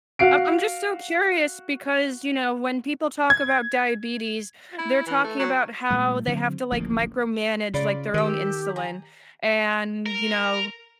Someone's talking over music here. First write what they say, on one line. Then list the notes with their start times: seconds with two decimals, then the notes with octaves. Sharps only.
I I'm just so curious because, you know, when people talk about diabetes, they're talking about how they have to, like, micromanage, like, their own insulin and you know
0.19 F#4 F5 C7 D7
3.30 G#6
4.78 E4
5.07 E3
5.24 A3
5.39 F#3
5.91 A#2 G3 A3
6.27 D3 F#3 C4
6.71 D1 A1 F3 A#3
7.74 C#3 F4 D5 B5
8.14 D#3 G4 A4 E6
8.76 G#5 A#5
10.06 A#4